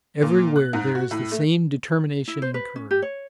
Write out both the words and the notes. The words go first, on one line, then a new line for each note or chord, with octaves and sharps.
Everywhere there is the same determination and courage.
A#2
F#6
G#2
F#4
A2
A3
E4
C5
B4
C#4
G4
C#5